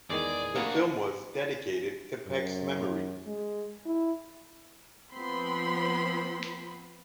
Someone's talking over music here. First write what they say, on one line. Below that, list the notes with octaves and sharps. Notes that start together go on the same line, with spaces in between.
The film was dedicated to Peck's memory.
E2 D#3 G#3 G#4 D5
A#3 B3 D4 F#4
F#2
G#3
E4
F3 B3 C4 B5 C6